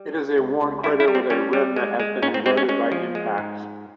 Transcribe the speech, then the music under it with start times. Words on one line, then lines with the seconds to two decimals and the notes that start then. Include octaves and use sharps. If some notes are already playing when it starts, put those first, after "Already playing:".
It is a worn crater with a rim that has been eroded by impacts.
Already playing: G3
0.15 C#3
0.38 C#2
0.61 C#2
0.84 G3 E4
1.00 E4
1.08 G3
1.15 C4
1.30 G3 C#4
1.53 G3
1.76 G#3
2.00 G#3
2.22 G#2 C#4
2.34 C4
2.46 G#3 C4
2.57 C#4
2.69 G#3 C#4
2.92 F3
3.15 G#3
3.38 G#2